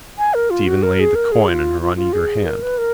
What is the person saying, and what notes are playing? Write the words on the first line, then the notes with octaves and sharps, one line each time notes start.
Stephen laid the coin in her uneager hand.
G#5
A#4
F4
F#4
A#4
G#4
A#4
G#4
F4
F4
F4
G#4
A#4
B4
A#4